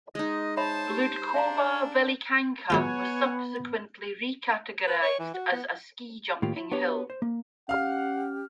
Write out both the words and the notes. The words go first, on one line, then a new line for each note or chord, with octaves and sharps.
"Bloudkova velikanka" was subsequently recategorised as a ski jumping hill.
G#3 D#4 D#5
C5 C#5 E5 A5 B5
G4
D4 E5 F5 A#5
F#3 G#3 B3 F4 C#5 F#5 G#5
B4
C#5
E3
F#4
B3
A2 D#3 A#3 F4 G4
E4
B3 D4 F#4 G4 C#5
C5
A#3
C#4 G4 F5 F#5 F6